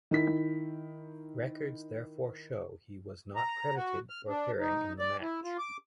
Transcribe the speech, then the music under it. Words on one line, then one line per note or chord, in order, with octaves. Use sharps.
Records therefore show he was not credited for appearing in the match.
D#3 E4 B6
A#5
F#4
F6
D4
D#4
D5
E4
F4
D6